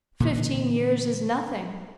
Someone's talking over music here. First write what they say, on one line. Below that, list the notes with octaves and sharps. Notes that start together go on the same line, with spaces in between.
Fifteen years is nothing.
A#2 D3 E3